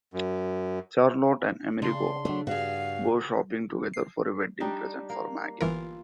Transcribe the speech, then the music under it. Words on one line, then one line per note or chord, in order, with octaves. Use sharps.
Charlotte and Amerigo go shopping together for a wedding present for Maggie.
F#2
C#3 D4 C6
F#3 G#3 A3 D4
G2 F#4 G#4 F5
C7
G3 D4 D#4
A#3
G1 E3 F4 A#4